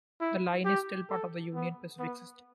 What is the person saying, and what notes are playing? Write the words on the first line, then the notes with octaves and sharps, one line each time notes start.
The line is still part of the Union Pacific system.
E4
G4
A4
B3
B3